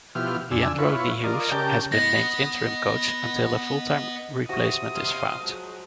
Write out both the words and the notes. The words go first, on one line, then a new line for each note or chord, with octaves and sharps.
Leandro Niehues has been named interim coach until a full-time replacement is found.
B2 F3 E4 G4 F6
F2 D4 G#5 E6
E4 F4 B4 C#5
F4 A#4 D5 D#5
C#3 G4 A#4 G5 A5
B3 D#5 A#6
C3 F#4 D#6
D#5 F5 C6
F3 F#3 G#3